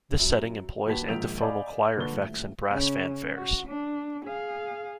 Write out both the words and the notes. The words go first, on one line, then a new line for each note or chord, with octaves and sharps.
This setting employs antiphonal choir effects and brass fanfares.
F#2
D#2 F#4 B4 G5 A5 B6
A#1 G#2 D#3 G6 D7 F7
D5 D#5 F5 G#5 B5 D6
A#2 D3 B4 C#6 G7
D#1 A2
C#3
F#4
D4
G#4 F5